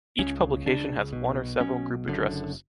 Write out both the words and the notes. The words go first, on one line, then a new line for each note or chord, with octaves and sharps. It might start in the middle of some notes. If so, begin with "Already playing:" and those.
Each publication has one or several group addresses.
C#2 C#3 C#4
C#2 C#3 D4
B1 B2
B1 B2 C#4
F#1 F#2 D3